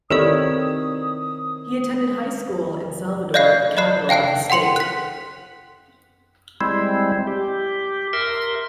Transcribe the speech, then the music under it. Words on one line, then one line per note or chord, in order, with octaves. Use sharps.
He attended high school in Salvador, the capital of the state.
D#3 C4 E4 G4 A4 C#5 D5 D#6
D5 D#5 F5 F#6 G#6 C7
D5 D#5 B5 F#6 C7
F5 G5 A5 F#6 C7
F#5 G5 C6 C#7 F#7
F#6 B6
G3 G#3 C4 E4
G4
A#4 E5 C6